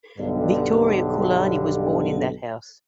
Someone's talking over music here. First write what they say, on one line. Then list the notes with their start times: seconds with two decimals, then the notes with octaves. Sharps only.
Victoria Kaiulani was born in that house.
0.18 B1 G2 D3